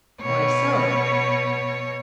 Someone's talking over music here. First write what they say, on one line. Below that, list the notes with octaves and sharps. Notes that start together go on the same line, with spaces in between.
Why so?
B2 C#5